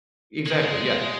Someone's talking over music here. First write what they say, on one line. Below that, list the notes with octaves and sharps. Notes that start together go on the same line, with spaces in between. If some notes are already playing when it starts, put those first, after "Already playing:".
Exactly, yeah.
G#3
G#3